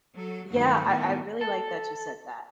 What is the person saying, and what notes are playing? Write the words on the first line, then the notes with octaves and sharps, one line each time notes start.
yeah, I I really like that you said that,
F#3 A4
G2 D#3 F#3 A3 F#4
A2 D#3 G3 B3
A4